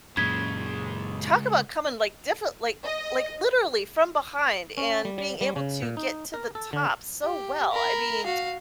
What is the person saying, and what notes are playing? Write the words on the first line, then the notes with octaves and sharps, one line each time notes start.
talk about coming like, different like like, literally from behind and being able to get to the top so well, I mean,
F#2 A#2 C#3 G#3 G#6 B6
D#5
C#4
G3
G3
G3
C#3
A#2
D#4
A#4
A4
D3
G4
A#4 B5
F#4 F5